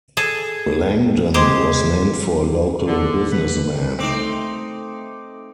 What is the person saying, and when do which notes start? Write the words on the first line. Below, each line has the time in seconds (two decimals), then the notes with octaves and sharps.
Langdon was named for a local businessman.
0.17 G#4 A4
1.34 G#3 G4 C5
2.87 D3
3.32 B4
3.99 A3 C4 D#4 D6